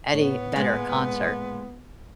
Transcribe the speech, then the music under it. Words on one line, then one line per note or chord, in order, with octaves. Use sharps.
Eddie Vedder concert.
A2 B3 C#5
A#2 G#3